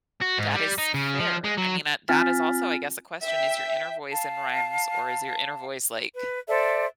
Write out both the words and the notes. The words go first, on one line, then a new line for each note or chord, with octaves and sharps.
That is fair. I mean, uh, that is also, I guess, a question, is your inner voice in rhymes or is your inner voice, like,
F#4
G#2
G3
D#4
C#3
F3
G#3
F#3
C4 F4 G#5 F6 A6 B6
E5 G5
F5 A5
B4
A4 C5 D5 E5